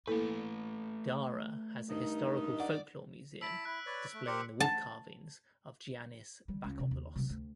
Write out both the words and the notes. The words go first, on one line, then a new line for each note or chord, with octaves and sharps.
Dara has a historical folklore museum displaying the woodcarvings of Giannis Bakopoulos.
A3 A#3 E4 A4 B4
G2 D#3 D#4
D5 F#5
E4 A5 E6 B6 D7
E4 F#6
B4 C#5 D5
A3
G4 A#4 C5 C#7
A5
G3
C#2
C3 D#3
D#2
C3 F#3
D2